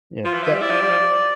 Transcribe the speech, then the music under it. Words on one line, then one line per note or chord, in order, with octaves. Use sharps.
Yep, that
F3 F4
E3
F3 E5
G3
E4 D5
F3
G3
F3